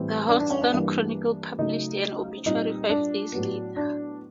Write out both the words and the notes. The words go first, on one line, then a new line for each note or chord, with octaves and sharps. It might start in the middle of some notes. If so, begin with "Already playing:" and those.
The "Houston Chronicle" published an obituary five days later.
Already playing: A2 E3 G3 C4
D4
D4
C#4
D4
G2 E3 G3 A#3
C#3 F#3 A3 D#4
A#2 G3 C4 D#4
D4
A2 F#3 B3
D4